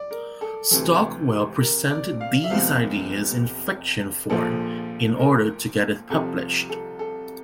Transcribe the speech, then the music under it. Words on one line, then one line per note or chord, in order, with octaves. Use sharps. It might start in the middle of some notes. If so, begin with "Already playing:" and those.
Stockwell presented these ideas in fiction form in order to get it published.
Already playing: D5
A#4
A4
D2 C3 E3 A4
A#4
D5
F5
E5
F1 E2 C3 F3 F5
A#1 A#2 F3 A4
A#4
C2 C3 F3 A4
A4
A4